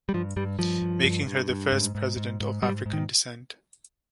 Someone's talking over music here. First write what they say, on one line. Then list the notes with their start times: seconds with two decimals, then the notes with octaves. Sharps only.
Making her the first President of African descent.
0.09 G3
0.14 G2 F3
0.36 G2 G3
0.59 G2 F3
0.82 G2
1.04 G2
1.26 G2
1.50 G2
1.72 G#2
1.95 G#2
2.17 G#2
2.40 G#2
2.62 G#2 G3
2.86 G#2
2.93 D#3